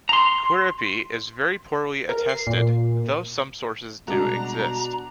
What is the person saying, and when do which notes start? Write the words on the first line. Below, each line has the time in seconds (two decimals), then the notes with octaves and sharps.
Quiripi is very poorly attested, though some sources do exist.
0.09 A#5 C6
2.09 A#4
2.29 C7
2.47 A#2
4.08 B2 G3 G#3 B3 D4 F#4 A#5